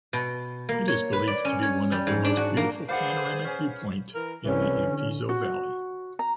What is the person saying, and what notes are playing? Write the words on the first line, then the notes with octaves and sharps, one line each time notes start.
It is believed to be one of the most beautiful panoramic viewpoint in the Ampezzo valley.
B2
A#3
C#5
B4
D5
C#4
C#5
G3
G#2
D4
F#4
A#3
G#4 B4 C5 D5 F5 F#5
C#4
E3 A#4
C2 E3 C#4
D3
F#4
A#5